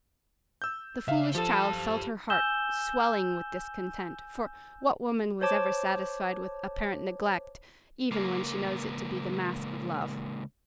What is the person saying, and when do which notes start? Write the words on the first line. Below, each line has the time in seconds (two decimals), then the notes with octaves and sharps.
The foolish child felt her heart swelling with discontent; for what woman was ever satisfied with apparent neglect, even when she knows it to be the mask of love?
0.62 E6 G6
1.08 C#3 E5 F5
1.35 F3 G4 A4 A5
2.30 G#5 E6 G6 E7 G7
5.41 C5 C#5 A5 D6
8.12 C#2 A#3